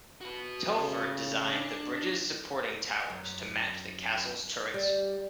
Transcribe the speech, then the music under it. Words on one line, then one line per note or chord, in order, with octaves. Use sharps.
Telford designed the bridge's supporting towers to match the castle's turrets.
F#4 B4
C#3
D4
F#2
G3